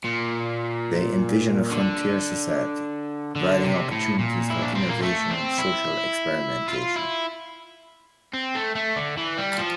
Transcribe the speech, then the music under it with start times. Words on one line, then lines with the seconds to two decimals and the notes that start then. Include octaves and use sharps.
They envision a frontier society, providing opportunities for innovation and social experimentation.
0.05 A#2
1.70 D3
3.36 D3
3.64 C3
3.92 A2
4.19 A#2
4.50 E4
4.62 D4
4.75 C4
4.89 A#3
5.02 A3
5.30 C4
5.58 E4
6.68 F4
6.96 E4
8.34 C4
8.55 A3
8.75 A3
8.96 D3
9.18 E3
9.38 G3
9.58 F3